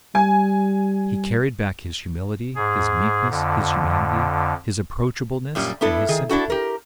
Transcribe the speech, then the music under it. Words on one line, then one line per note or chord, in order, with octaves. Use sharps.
He carried back His humility, His meekness, His humanity, His approachableness, and His sympathy.
G3 G#5
G#2 G#4
F2 D3
F#2 A#2 G3 A#3
B3 D4 E4 A4
D#3 G#4
D4 E4 F#4 A4
G4 A#4